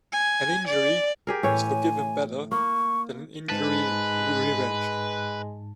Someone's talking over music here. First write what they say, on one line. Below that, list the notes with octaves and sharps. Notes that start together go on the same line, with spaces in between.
An injury is forgiven better than an injury revenged.
G#5
D5
G4 G#4 A#4
A2 E3 C#5 G#5
A#3 C#6
G#2 G#3 B4 A5